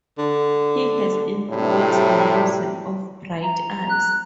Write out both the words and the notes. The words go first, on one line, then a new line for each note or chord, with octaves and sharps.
He has influenced the music of Bright Eyes.
D3
A2 C3 F#3 G3
A#5
F#6